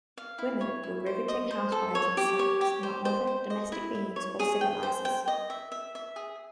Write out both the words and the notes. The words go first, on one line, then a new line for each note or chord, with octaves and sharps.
Women were riveting housewives in slacks, not mother, domestic beings, or civilizers.
F5
E4
C#5
E4
C5
D#5
C5
A4
C#5
G4
C#5
G4
C5
C5
C5
D#5
E4
E4
C#5
G#4
G5
C5
G5
D#5
E5
E5
E5
G#4